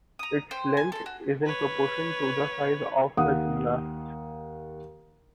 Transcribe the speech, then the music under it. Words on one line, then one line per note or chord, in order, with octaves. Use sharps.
Its length is in proportion to the size of the gymnast.
A#5 D#6
C5 G5
G#5
A4 C6
F#4
B4 C#5
D#2 F5 F#5 D#6